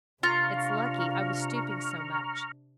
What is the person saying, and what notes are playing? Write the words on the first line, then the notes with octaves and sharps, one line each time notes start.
It's lucky I was stooping so much.
C3 D4 F4 A#5 C#6 F6